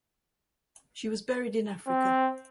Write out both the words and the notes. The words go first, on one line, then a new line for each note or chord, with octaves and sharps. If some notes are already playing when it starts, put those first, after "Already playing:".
She was buried in Africa.
C4